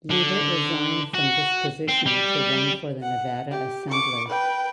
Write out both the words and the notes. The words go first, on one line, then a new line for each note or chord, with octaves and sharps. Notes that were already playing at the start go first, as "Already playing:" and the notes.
Leavitt resigned from this position to run for the Nevada Assembly.
D3
F#4
C4
G3
F#5
G4
C#6 D6
B4 G5